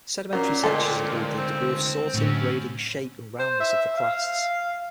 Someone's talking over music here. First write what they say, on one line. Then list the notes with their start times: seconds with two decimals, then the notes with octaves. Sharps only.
Sedimentary textures include the degree of sorting, grading, shape and roundness of the clasts.
0.33 A#2 F#3 C#4 A#4 A#5
0.64 D2 G#3 A4 D#5 G5 C6
1.38 C4
2.14 F#2 A2 D3 C#4
3.39 C5
3.60 E5
3.97 F5